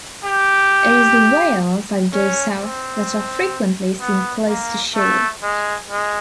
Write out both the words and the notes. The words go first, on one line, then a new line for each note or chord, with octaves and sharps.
It is the whales that go south that are frequently seen close to shore.
G4
C#4
C4
B3
A#3
A3
G#3
G#3